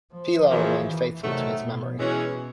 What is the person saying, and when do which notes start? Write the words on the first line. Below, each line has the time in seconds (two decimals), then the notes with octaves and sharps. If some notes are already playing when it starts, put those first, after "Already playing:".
Pilar remained faithful to his memory.
0.11 F3
0.49 F#2 C#3 E3 F3 A#3
0.86 E3
1.23 C3 D#3 F#3 A3
1.61 B2
1.98 E3 G#3 C#4 F#4